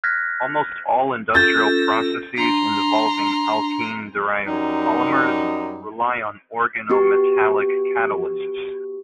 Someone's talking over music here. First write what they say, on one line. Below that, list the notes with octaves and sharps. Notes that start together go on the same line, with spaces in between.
Almost all industrial processes involving alkene-derived polymers rely on organometallic catalysts.
F6 F#6 G#6 A#6 B6
C#4 F4 A4 E6 G6 A6 A#6
D4 A#5 C6
F#2 G3 D#4
B3 F#4 G4 C#6